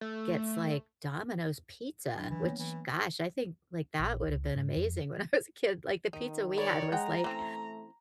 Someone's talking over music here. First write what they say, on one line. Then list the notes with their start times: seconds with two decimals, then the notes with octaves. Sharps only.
gets like Domino's pizza, which, gosh, I think like that would've been amazing when I was a kid. Like, the pizza we had was like
0.01 A3
2.16 F#3 D4
2.30 E3
2.42 A#3 B3 C#5
2.59 E3
3.99 A#1
4.27 C#2
4.56 G#2
4.76 F2
6.13 D#3 D#4
6.58 C#5 D5 B5
6.92 G#3 F#5 G5 A#5
7.24 E3 A3 C4 C#4